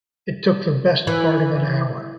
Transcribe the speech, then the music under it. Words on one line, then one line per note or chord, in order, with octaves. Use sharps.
It took the best part of an hour.
E3